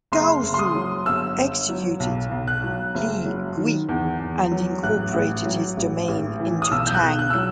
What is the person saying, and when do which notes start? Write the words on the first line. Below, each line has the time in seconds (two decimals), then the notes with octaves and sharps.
Gaozu executed Li Gui and incorporated his domain into Tang.
0.12 F#1 C6
0.43 F#1
0.54 C6
0.59 D#6
0.75 F#3
1.06 G1 E6
1.38 G1
1.69 F#3
2.00 B1
2.31 B1
2.47 F#6
2.64 F#3
2.95 F#1
3.26 F#3
3.57 D#3
3.89 E2
4.20 E2
4.52 F#3
4.83 A1 F#6
5.14 A1
5.45 F#3
5.77 A1
6.08 A1
6.40 E3
6.62 D#6
6.71 B1 E6
6.87 G6
6.95 F#6
7.03 B1
7.19 F#6
7.30 F#3 E6